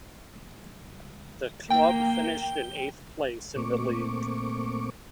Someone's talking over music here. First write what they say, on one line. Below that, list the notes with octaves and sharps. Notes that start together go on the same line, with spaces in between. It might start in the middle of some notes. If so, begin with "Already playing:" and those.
The club finished in eighth place in the league.
A#3 G5
A#2 A3 A#3 C4 C#6 D6